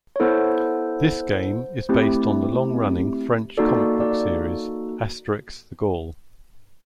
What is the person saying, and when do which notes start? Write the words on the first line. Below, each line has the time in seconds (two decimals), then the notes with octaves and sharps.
This game is based on the long-running, French comic book series "Asterix the Gaul".
0.16 C#5
0.20 B3 E4 A4 C5
1.89 A3 C4 E4 G4
3.57 A#3 D#4 F#4 A4 D5
4.00 D5